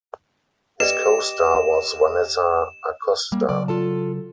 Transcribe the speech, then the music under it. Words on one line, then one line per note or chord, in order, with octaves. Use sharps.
His co star was Vanessa Acosta.
G4 B4 D5 D#5 E7
G3 A#3
C#3 F#3 D5
F4 A4 A5